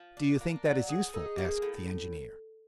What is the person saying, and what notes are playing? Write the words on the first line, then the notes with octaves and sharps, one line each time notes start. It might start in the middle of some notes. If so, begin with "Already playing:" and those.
"Do you think that is useful?" asked the engineer.
Already playing: F3
D4
A#3
F#3 D5
G#4
D#4 A4
G#4
A#3 G4
G#4
A2